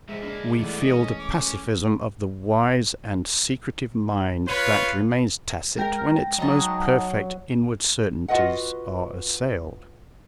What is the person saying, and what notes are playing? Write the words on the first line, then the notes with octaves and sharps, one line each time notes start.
We feel the pacifism of the wise and secretive mind that remains tacit when its most perfect inward certainties are assailed.
A#2 F3 G#3 E5
A#3 D4 E4
C2 E3 G#3 A3 B3 D5
C#4 D#5
D6
F4 B4 C#5
G#3 A#4 G5 A#6
F#3 D#4 D#5 A5
F4 F#4 B4 D#5 F#5